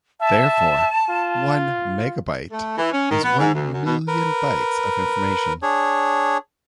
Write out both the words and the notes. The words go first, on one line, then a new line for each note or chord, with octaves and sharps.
Therefore, one megabyte is one million bytes of information.
E5 A5
F4
A3
E3
C#4
D#3
B3
G#2
D2
F#2
B2
A#4 B4
D4 G#4 C#5